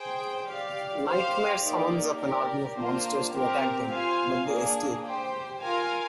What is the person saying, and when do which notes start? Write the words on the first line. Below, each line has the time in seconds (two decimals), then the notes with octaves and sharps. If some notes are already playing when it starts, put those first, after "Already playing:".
Nightmare summons up an army of monsters to attack them, but they escape.
Already playing: G#4 C5 G5
0.47 G4 D5 F5
1.04 G4 C5 F5
1.62 A#3 D#4 G4 D5
2.19 G4 A#4 D5
2.76 A#3 D4 F4 C5
3.33 C4 G4 A#4
3.90 F4 C5 F5 G#5
4.47 A#3 D4 G#4
5.04 G4 C5 G5
5.61 F4 A#4 F5 G#5